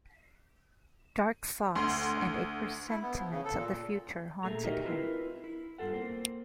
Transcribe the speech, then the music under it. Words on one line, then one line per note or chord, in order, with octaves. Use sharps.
Dark thoughts and a presentiment of the future haunted him.
D2 C6
E4
B3
F3
C#3
A4
A#2
A#2 E3 A3 G#4 A4 A#5
D#4 F#4 G4 A#4 D#5 E5
C4 E4 F4 A#4 B4
E4
G2 A#2 F4 A4 F#5
A#3 C4